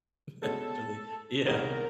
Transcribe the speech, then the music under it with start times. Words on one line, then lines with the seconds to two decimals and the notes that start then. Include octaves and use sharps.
actually." Yeah.
0.42 B2 G#3 C#4 A4
1.46 C2 C3 D#3 G#3 B3 A#4